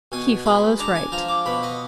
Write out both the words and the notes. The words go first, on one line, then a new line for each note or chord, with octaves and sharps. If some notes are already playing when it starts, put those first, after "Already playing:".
He follows right.
B2 G#5
G#3 B5
D4 A#5
G#5
F3 A#5
D6
B2 B5
D#5